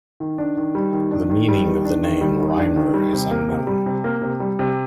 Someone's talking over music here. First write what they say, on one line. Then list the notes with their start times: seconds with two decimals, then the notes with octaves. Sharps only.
The meaning of the name "Rymr" is unknown.
0.20 D#3
0.38 D4
0.57 D#3
0.75 G3
0.93 D#3
1.11 D4
1.30 D#3
1.48 G3
1.66 D#3
1.85 D4
2.03 D#3
2.21 G3
2.40 D#3
2.58 D4
2.76 D#3
2.94 G3
3.13 C3
3.31 A#3
3.49 C3
3.67 G3
3.86 C3
4.04 A#3
4.22 C3
4.40 G3
4.59 C3